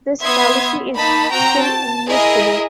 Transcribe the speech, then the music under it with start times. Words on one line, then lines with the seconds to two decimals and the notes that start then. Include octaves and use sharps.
This policy is still in use today.
0.22 B3 E5 C6 D#6 G#6
0.94 A#3 D#4 A5 B5
1.31 C4 F#4 G5 A#5
1.62 A5
2.10 E4 G#4 A#4 D#5 E5